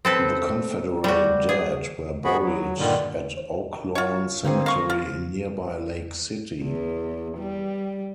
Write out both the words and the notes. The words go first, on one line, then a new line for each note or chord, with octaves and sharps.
The Confederate dead were buried at Oaklawn Cemetery in nearby Lake City.
C4 A4 B4
G3 F#4
G#4
B3 F#4 G#4 B5
F#3
G2 A#2 D3 D#3 G3
F4 C#5
D3 A#3 C4 G#4
F5 C#6 A#6
F4
E2
G3